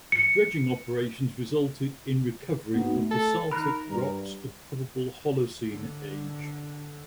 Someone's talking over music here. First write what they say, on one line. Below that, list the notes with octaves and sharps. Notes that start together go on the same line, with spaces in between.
Dredging operations resulted in recovery of basaltic rocks of probable Holocene age.
C#7
B3 D#4 F#4
A3
A4
D#3 A#4 B5 F#6
G2 G3
D3